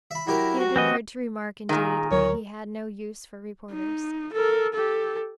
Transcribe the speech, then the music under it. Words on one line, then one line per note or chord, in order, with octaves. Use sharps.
He had been heard to remark, indeed, that he had no use for reporters.
E5 B5
F#3 E4 G4 A#4
F#4
E3 C4 F#4 D#5
A#2 D#3 G#4
D2 F#3 A#4 C#5
D#4
A4 A#4
G4 A4